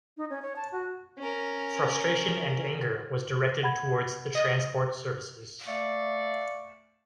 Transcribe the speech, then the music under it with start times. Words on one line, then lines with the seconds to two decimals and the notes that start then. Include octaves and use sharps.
Frustration and anger was directed towards the transport services.
0.17 D#4
0.30 C#4
0.42 C#5
0.56 A5
0.72 F#4
1.18 C#4 A#4
3.63 F#5 B5 G#6
4.35 D#5
5.67 A3 D5 E5 F5 C#6